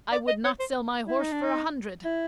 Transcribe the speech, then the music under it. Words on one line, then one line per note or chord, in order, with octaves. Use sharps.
I would not sell my horse for a hundred.
D5
D#5
C#5
C5
E4
D#4
D4
D#4
E4